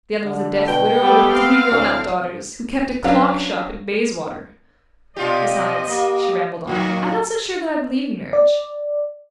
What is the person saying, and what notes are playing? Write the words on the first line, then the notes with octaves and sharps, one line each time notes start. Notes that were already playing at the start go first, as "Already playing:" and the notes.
The other was a deaf widower with three grown-up daughters, who kept a clock-shop in Bayswater!--Besides," she rambled on, "I'm not so sure that I believe in marriage.
D3
B2 G5
G3 A3 B3 G4
C4 F5
D2 A2
F#3 C#4 D4 B4 F5
B2 F4 G4 D5 D#5
A#3 G4
A2 D#3 F#3 A#3 F#4
D5